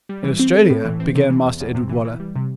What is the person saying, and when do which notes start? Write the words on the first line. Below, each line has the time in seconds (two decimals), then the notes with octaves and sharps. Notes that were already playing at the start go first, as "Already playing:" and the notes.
'In Australia--' began Master Edward Waller.
0.09 G3
0.24 E3
0.39 C4
0.54 A4
0.70 A2
0.85 E3
1.00 C4
1.15 C3
1.30 E3
1.45 E2
1.60 E2
1.75 C3
1.90 E3
2.05 E3
2.20 G3
2.36 C3